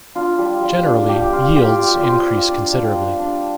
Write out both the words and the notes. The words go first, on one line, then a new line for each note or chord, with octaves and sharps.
Generally, yields increase considerably.
D4 F4
G3
G3
D4
G3 G4
F4
F4 G4
F4
D5
F4 C5
F4
D4
G3
D4
D4